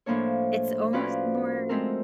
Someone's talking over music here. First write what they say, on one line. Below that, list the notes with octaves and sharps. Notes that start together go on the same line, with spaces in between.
it's almost more
A2 F3 A#3 D4 C#5
F3 C#4 F4 F#4 B4 D5
G#3 A3 C4 A4 A#4